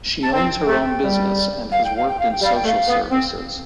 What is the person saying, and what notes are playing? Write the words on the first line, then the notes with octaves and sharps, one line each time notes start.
She owns her own business and has worked in social services.
A5
C4 G5
A3
G3
F5
G5
F5
G5
F5
G5
G3 F5
G5
A3 F5
B3
C4 G5